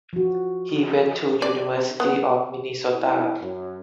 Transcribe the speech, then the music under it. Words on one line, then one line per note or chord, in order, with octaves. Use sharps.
He went to University of Minnesota.
F3 F#4
D5
B3
E4
F#2